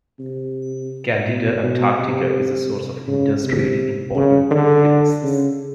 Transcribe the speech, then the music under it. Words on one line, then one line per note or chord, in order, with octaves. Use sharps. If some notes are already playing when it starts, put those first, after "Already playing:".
"Candida antarctica" is a source of industrially important lipases.
C3
B2
B2
C3
C#3
C3
C#3
D3
C#3